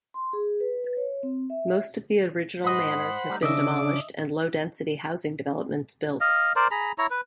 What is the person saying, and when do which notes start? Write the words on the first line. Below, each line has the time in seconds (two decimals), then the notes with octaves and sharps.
Most of the original manors have been demolished and low density housing developments built.
0.14 C6
0.33 G#4
0.60 B4
0.84 B4
0.97 C#5
1.23 C4
1.50 E5
2.64 G#2 C5 D#5 F#5 B5
3.30 G3 A3 D#4
3.43 C#3 D4 D#5 E5 D6
6.21 D#5 F5
6.56 A#4 C5 D5
6.71 G#4 A#5 B5
6.98 E4 C#5 A#5
7.10 B4